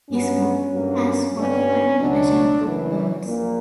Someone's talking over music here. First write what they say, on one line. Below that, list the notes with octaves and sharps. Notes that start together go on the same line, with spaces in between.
His book has won five international book awards.
G2 F#3 B3 C#4
G2 F#3 A#3
G2 D3 G3 B3 C#4
C#2 B2 F#3 D4
F#1 F#2 E3
A#1 A#2 A#3